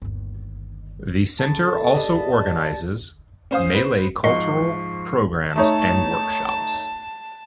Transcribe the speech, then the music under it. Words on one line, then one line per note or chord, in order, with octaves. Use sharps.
The centre also organizes Malay cultural programmes and workshops.
G1 D#2
C#3 F#3 B3 A5
D3 F#3 A3
G3 G#4 B4 D#5
C#4 C5 F5 D#6
B4 C5
G#2 F3 D#5 C#6 C7 C#7
A3 D#4 C#5 A5